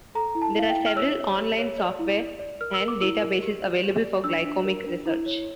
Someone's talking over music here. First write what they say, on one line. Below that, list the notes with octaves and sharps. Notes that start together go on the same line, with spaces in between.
There are several on-line software and databases available for glycomic research.
A4 A#5
E4
A5
E4 F5
G5
E4
F6
C#5 E6
C#5
G4
C#5
D5
E4
D5
D5
A#4 F6
E6
A#4
D6
E4 E6
A#4
G4
D5
G4
D5
D4 E6
D4
A#4
D4
E4
C#5